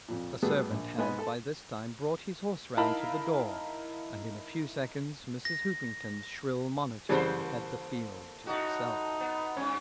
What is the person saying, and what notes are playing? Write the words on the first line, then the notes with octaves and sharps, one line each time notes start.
A servant had by this time brought his horse round to the door, and in a few seconds Mrs. Hoopington's shrill monotone had the field to itself.
F2 A#2
F#3 G3 A3 B3 G#4
A#1
G#2 B3 B4 D#5 G#5 B5
A4
D#4 E4 A#4 F5 A5 B5
A#6
C#3 E3 G3 A#3 A4 C5
A2 D#4 F#4
B3
G2 B2 C#4